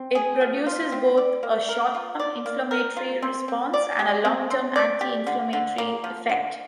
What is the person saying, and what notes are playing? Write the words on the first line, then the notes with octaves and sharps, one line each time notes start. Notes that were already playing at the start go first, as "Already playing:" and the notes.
It produces both a short-term inflammatory response and a long-term anti-inflammatory effect.
Already playing: C4
G#4
F3
F4
C4
D5
A#3
A#4
F4
D5
A#3
A#4
F4
C4
C4
D5
G4
C4
C4
D5
G4
D3
D3
A#3
F3
D3